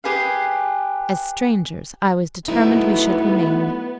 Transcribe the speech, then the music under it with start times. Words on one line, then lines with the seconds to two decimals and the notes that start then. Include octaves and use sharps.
As strangers I was determined we should remain.
0.04 G4 G#4 B4 F5
2.48 F#3 A3 B3 D#4 E4